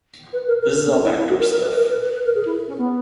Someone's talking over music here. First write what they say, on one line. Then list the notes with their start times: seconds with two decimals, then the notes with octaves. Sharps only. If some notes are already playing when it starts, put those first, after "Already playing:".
This is all back door stuff.
0.33 B4
0.47 A#4
0.61 A#4
0.75 A#4
0.85 B3
0.90 C#4
1.03 E4
1.17 E4
1.28 F#4
1.39 A#4
1.50 A#4
1.61 B4
1.74 A#4
1.89 B4
2.03 B4
2.14 B4
2.24 A#4
2.35 G#4
2.45 E4
2.67 C#4
2.78 B3